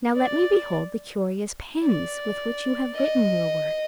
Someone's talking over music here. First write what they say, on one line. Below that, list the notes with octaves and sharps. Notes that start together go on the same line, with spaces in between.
"Now let me behold the curious pens with which you have written your work."
D5
D5
D#5